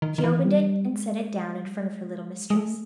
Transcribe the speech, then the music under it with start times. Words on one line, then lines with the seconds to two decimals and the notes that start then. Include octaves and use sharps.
She opened it and set it down in front of her little mistress.
0.02 D#3
0.18 D#3
0.24 E3
0.45 G3
0.87 G#3
1.61 G3
1.72 G#3
2.50 G#3
2.56 A3